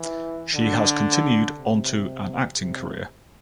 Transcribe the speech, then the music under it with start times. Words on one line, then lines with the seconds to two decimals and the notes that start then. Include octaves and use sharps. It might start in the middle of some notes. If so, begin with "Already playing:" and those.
She has continued on to an acting career.
Already playing: E3
0.54 D3
1.56 C3
2.59 C3